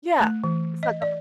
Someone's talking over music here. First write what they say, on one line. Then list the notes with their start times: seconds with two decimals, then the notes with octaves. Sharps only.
Yeah, it's the government,
0.20 A3
0.44 E3
0.83 D#5
1.02 D5